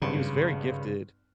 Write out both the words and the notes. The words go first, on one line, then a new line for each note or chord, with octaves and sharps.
he was very gifted,
G#1 G2 C#3